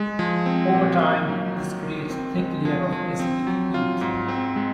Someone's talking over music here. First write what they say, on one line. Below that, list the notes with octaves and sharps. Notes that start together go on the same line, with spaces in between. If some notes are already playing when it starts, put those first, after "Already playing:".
Over time, this creates a thick layer of acidic peat.
Already playing: G#3
F3
C4
A#2
A#3
F#3
D#3
D#3
C4
G#3
F3
F3
C4
F#3
F4
G#2
C4
G#3